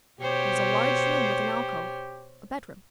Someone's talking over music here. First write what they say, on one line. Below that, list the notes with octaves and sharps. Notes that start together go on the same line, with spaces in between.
It was a large room with an alcove--a bedroom.
B2 G4 C5 C#5